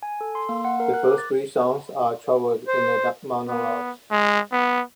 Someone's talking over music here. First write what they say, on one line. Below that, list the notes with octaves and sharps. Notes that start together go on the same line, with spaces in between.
The first three songs are troubled inner monologues.
G#5
A4
C6
A#3
F#5
A#4
F#6
D6
A6
C5
B3
G#3
B3